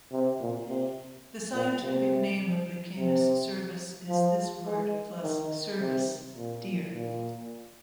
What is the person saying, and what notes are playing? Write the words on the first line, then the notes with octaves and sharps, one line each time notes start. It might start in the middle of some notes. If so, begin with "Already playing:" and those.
The scientific name of "Lucanus cervus" is this word, plus "cervus", deer.
C3
A#2
C3
A#2
C3
C3
F3
G#3
D#3
C3
A#2
A#2